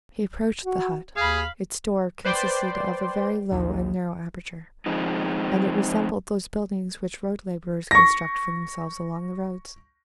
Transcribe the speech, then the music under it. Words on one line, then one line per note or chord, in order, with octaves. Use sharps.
He approached the hut; its door consisted of a very low and narrow aperture, and it resembled those buildings which road-laborers construct for themselves along the roads.
F#4
D#2 G#4 F5 B5
B4 C5 D5 G5 C6
A#1 D#2
F3 G#3 C4 D#4
C#6 A#6